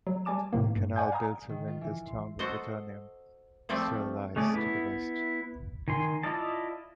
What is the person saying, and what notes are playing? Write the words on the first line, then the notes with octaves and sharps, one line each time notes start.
The canal built to link this town with Vedaranyam still lies to the west.
F#3
G3 G#5 A5 D6 E7
A2 C3 D#3 A#3
G2
D5 F#5 G#5 G6
F5 G#5 A#5 D#6
D#3
F4
E3
C6
F#4 A4 C5 D#5
F3 A3 C4 A4 D5
A3 C#4 G#4 D5
B3 E4
D#3 G#5 C6
E4 F4 D5 D#5 A5